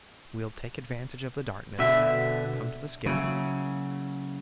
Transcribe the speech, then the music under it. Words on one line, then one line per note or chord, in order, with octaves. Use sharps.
We'll take advantage of the darkness. Come to the skiff.
B2 D3 E5
C#3 F#3 A#3 E4